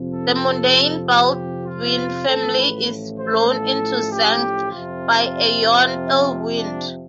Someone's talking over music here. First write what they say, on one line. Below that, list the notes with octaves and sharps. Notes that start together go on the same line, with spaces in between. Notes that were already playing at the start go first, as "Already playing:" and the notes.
The Mundane Baldwin family is blown into Xanth by a Yon Ill Wind.
Already playing: F2 C3 F3
A4
G4
F4
A1 A2 F3 A4
B4
C5
A4
G4
F2 C3 F3 F4
D4